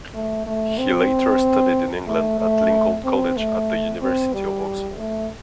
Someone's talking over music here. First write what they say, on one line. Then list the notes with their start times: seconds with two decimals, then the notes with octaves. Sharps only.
He later studied in England at Lincoln College at the University of Oxford.
0.14 A3
0.46 A3
0.78 C4
2.07 A3
2.40 A3
3.04 C4
3.37 A3
4.02 C4
4.33 G3
4.99 A3